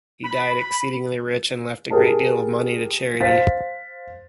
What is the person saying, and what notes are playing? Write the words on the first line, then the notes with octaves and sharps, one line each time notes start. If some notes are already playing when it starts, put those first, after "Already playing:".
He died exceedingly rich and left a great deal of money to charity.
B5
B5
G4 G#4 A#4 A5
C5 F5 A6 B6